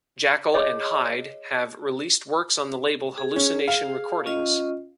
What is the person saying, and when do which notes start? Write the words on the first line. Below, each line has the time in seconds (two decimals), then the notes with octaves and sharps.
Jackal and Hyde have released works on the label Hallucination Recordings.
0.54 G#4 C#5 D#5
3.18 G#4
3.36 C#4
3.68 F5
4.26 C#4 F4 D#5